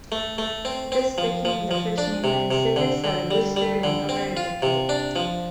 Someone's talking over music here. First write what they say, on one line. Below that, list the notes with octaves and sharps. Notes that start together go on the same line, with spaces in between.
This became the first mainline service out of Worcester in over a decade.
A3
A3
C4
C4
F3
F3
F3
D4
C3
C3
D3
D3
G3
G3
D3
C4
F4
C3
D4
F3